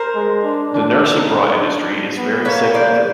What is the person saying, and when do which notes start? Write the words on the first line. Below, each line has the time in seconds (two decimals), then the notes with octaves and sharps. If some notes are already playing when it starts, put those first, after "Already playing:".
The nursing bra industry is very segmented.
Already playing: A#4 C5
0.15 G#3
0.43 D4
0.73 D4
1.15 D#4
1.59 D4
2.17 B3
2.45 A#3 B4 C#5
2.74 A#3 C5 D5